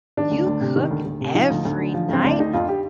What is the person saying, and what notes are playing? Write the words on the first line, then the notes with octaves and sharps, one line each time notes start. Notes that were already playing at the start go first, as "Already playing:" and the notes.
"You cook every night?"
D#3 D4
D2
D2
C3
D#3
D2
D2
C3
F3 D#4
D2
D2
D3
F3
D2 C4
D2 D4
D3 D#4
F2 F4
G4